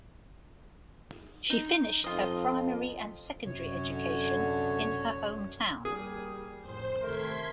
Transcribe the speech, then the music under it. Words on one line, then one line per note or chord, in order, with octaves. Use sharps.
She finished her primary and secondary education in her hometown.
D#4
F2 F4 D#5
F#2 C3 C#4 C#5
D3 C#5
G3 A#3 G#4
F2 A2 C5
C3 D#3 A3 A#4 C6 G#6 B6